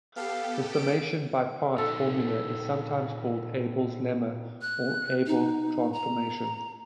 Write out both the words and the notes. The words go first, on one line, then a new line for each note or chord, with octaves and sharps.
The summation by parts formula is sometimes called Abel's lemma or Abel transformation.
B3 G4 A4 F5
D7
A#2 D#4 F#4 A4
F#6
D#4
A#5